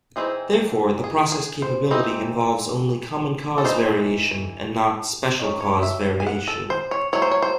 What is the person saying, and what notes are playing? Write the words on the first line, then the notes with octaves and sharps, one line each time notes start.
Therefore, the process capability involves only common cause variation and not special cause variation.
E3 G#3 C4 D#4 G#4
G#4
G#4
C5
E3 C4 D#4
A4
E3 A3 D#4 C5
D#3 F#3 C#4
C#5
E5
G#5
F#5
A4
C5
C#5
F#3 A3 C#5
C5
C#5
C5